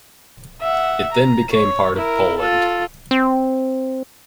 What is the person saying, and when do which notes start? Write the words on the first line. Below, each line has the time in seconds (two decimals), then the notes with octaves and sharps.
It then became part of Poland.
0.61 E5 F#5
1.12 A#5
1.52 C#5
1.96 E4 A#4
2.40 F4 A4
3.11 C4